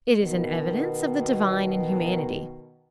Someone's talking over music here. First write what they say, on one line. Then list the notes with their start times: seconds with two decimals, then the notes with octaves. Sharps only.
It is an evidence of the divine in humanity.
0.20 B2 D#3